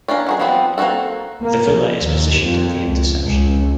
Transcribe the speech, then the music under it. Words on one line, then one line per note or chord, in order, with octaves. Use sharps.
The villa is positioned at the intersection.
A#3 C#4 D4 D5
F#3 F#4 G#4
F3 G3 B3 C4
A#3 C4 D#4 F#4 A4
A#3
A#1
D#2
F2
C#2
C#2